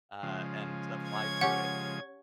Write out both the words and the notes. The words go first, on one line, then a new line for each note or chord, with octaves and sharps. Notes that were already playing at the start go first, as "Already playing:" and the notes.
uh, and applied to it.
C#3 F3 G#3
C#5 G#6
C#4 G4 F#5